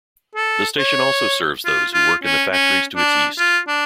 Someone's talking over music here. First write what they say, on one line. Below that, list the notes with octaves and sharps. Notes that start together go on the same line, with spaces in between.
The station also serves those who work in the factories to its east.
A4
C#5
F4
F4
C#4
C#4
D4
F4
D4